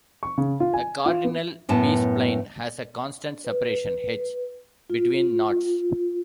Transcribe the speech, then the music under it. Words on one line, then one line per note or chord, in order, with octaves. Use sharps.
A cardinal B-spline has a constant separation, "h", between knots.
C#6
C#3
F4
G#5
F4
B3
F#2 A2 B3 A5
B4
F4